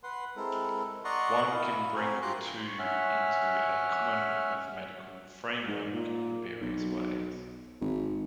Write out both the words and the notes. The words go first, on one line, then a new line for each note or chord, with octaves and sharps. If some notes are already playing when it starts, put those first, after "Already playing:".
One can bring the two into a common mathematical framework in various ways.
B4 F#5 C6
G#3 C4 E4 A4 A#4
D5 D#5 F#5 A#5 C6 C#6
E4 F5
C4 F#4 A#4 C5 G#5
F4 G4 A#5 C6 D6 F#6
C#6
C#4 E5 F#5 F6
G#2
A#2
B1
G#1